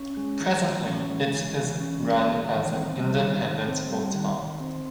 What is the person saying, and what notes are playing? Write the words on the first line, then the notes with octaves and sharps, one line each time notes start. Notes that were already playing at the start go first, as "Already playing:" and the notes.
Presently it is run as an independent hotel.
Already playing: C#4
G#3
E3
E3
C#4
G#3
E3
E3
C#4
G#3
E3
D#3
C4
G3
D#3
D#3
C4
G3
D#3
D#3
C4